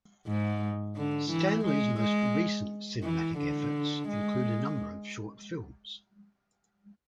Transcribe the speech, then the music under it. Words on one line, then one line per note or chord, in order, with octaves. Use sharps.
Stanley's most recent cinematic efforts include a number of short films.
G#2
D3
E3
G#3
G#3
E3
D3
G#3